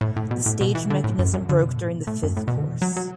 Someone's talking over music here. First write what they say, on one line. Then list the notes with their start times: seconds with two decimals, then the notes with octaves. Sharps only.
The stage mechanism broke during the fifth course.
0.01 A2
0.16 A2
0.31 B2
0.46 A2
0.61 B2
0.75 E3
0.90 D3
1.04 A2
1.19 F#2
1.34 F#2
1.49 D3
1.63 B2
1.77 A2
1.91 B2
2.07 A2
2.23 F#2
2.37 A2
2.48 B2
2.57 D3
2.66 E3
2.82 F#3
2.96 F#3